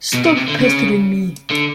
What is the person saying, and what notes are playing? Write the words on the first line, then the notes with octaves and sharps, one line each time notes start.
Stop pestering me!
B2
B2
C3
D3
C#3
D3